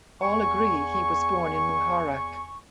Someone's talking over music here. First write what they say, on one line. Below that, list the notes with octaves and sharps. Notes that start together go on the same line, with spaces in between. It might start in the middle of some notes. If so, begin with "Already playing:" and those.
All agree he was born in Muharraq.
E2 G#5 C#6